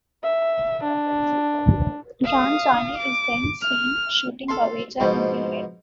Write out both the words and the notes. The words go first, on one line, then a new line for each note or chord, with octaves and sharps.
Ram Jaane is then seen shooting Baweja in the head.
E5
D4
F5 D#6
D6
F6
A4 F5 C6
G#2 B2 F3